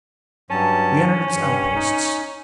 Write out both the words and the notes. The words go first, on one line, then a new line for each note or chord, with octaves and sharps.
We entered its outposts.
G2 F#3 C#4 A5
G2
D#4